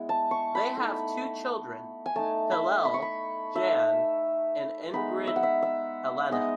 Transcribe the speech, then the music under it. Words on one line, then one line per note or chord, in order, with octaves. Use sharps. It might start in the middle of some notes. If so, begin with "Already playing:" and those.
They have two children, Hillel Jan and Ingrid Helena.
Already playing: G#3 B3 E4
A5
C#6
B5
A3 D#4
G#5
A3 D#4 A5
B5
B5
C#6
B5
A3 D#4 E5
G#3 B3 D#4 B5
E5
F#5
E5
E5
G#3 B3 D#4 D#5